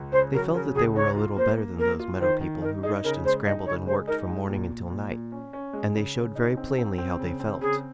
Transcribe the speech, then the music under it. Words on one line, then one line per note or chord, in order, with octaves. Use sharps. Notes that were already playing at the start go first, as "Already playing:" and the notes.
They felt that they were a little better than those meadow people who rushed and scrambled and worked from morning until night, and they showed very plainly how they felt.
Already playing: C#2
C#3 C5
F#3 A#4
C#3 A#4
C#2 G#4
G#2 C#5
F4
A#3 C5
A#3
A#3 A#4
F4
D#3 C5
D#3
D#4 A#4
D#4 G#4
C#3 A#4
G#3 C5
D#4 D#5
C#3 C#5
G#3 C5
D#4 A#4
G#3
A#2
A#2
A#2
A#2
C#4
C#4
G#3
C#3
C#3
D#4
C4
C4
C4
C#3
C4
C#3 G#4